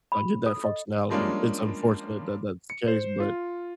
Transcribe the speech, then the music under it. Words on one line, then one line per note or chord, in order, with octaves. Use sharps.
like get that functionality. It's unfortunate that that's the case, but
B5
A4
D#5
F3 G3 G#3 A#3 C#4 D4
C#7
C5
F4